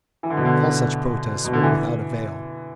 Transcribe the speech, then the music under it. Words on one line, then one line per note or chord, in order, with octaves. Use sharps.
All such protests were without avail.
E3
D3
B2
D3
B2
D3
E3